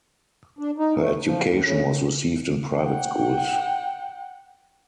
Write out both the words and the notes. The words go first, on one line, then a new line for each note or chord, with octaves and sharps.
Her education was received in private schools.
D4
D#4
A3
F3
D#2
C#3
F#5 G5